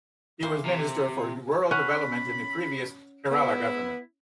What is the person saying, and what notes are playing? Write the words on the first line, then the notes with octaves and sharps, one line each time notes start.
He was Minister for Rural Development in the previous Kerala Government.
E3 A#3 C5
C3
C#4 F#5 B5
B3 E4